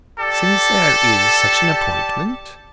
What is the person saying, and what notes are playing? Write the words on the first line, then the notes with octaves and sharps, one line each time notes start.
"Since there is such an appointment."
G4 A4 D5 A5